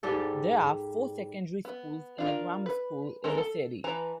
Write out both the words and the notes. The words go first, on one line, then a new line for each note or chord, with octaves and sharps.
There are four secondary schools and a grammar school in the city.
G#2 G3 G4 A4
B3
D4 F4 A#4
B4
G#3 B3 A4 A#4 A#5
A4
E3 B4 A5 A#5